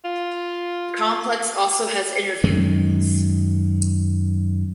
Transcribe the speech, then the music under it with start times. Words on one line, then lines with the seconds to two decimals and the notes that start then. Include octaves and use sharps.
The complex also has interview rooms.
0.05 F4
2.44 F#2 D#3 G#3